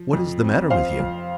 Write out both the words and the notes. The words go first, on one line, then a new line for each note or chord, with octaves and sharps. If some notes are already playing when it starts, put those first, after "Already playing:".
"What is the matter with you?"
Already playing: F3
F2
C4
F3 C5 F5
F2